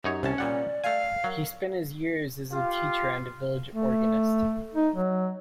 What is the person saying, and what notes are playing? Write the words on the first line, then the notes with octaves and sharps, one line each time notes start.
He spent his early years as a teacher and a village organist.
F#2 D#4 G4 C#5
C2 C#4 A5
A#2 G3 D5 F#5
A3 F5 G#5
F#3 A#4
F4 G4 F5
A3
D#4
F#3